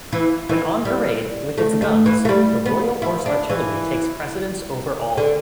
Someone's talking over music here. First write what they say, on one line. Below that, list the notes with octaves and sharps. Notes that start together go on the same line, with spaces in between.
When on parade with its guns, the Royal Horse Artillery takes precedence over all.
E3
E3
G3
A3
A3
E3
A3
G3
B3
E4
D4
E3
D3